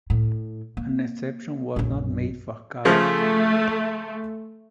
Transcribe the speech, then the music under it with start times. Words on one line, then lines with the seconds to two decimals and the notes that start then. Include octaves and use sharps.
An exception was not made for Cobb.
0.10 A2
0.77 A#3
1.76 A#1 F#2
2.85 C#3 F3 A3